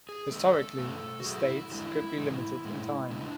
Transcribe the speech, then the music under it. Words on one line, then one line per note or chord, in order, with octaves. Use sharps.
Historically, estates could be limited in time.
G#4
D3 G#3 A4
B2 A3
F#4
B2 F#3 A3 G#4
E4
D3 G#3 E4
A2 E3 G#3
A2 G#3
C#3 G#3 D4